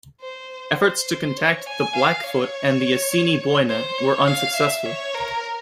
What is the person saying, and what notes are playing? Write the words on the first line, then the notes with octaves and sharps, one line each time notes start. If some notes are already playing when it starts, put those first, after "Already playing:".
Efforts to contact the Blackfoot and the Assiniboine were unsuccessful.
C5
C5
C5
C#5
G#5
F5
C#5
C5
C#5
F5
E5
C#5
A#4